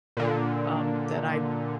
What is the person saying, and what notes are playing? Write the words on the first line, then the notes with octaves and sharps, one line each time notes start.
um, that I
A#2 D3